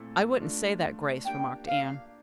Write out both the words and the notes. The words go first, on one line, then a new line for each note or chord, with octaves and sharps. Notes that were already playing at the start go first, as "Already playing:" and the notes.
"I wouldn't say that, Grace," remarked Anne.
Already playing: A#2 A3 C4 E4 A4
A3 D4 F4
A#3 D4 G4 G5
F5